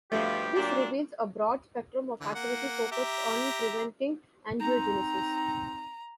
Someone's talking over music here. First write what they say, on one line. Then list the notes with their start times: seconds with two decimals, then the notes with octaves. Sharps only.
This reveals a broad spectrum of activity focused on preventing angiogenesis.
0.12 G2 B2 F3 A3 G4
0.55 A#2 F#3 D4
2.20 D3 E3
2.35 A#3 F#5
2.92 G4 E5 A#5
4.60 C4 D#4 A#5